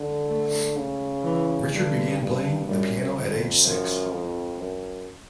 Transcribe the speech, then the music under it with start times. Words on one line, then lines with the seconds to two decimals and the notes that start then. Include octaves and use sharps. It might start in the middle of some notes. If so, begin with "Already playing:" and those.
Richard began playing the piano at age six.
Already playing: D3
0.28 A3
0.76 C#3
1.23 E3
1.72 G2 D3
2.20 G2
2.68 F#2 G3
3.15 F2 D3
3.63 F#2 F3
4.12 F2
4.59 F#2